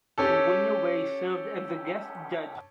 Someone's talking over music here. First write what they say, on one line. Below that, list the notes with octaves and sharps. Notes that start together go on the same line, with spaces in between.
William Wei served as the guest judge.
C#4 G4 A4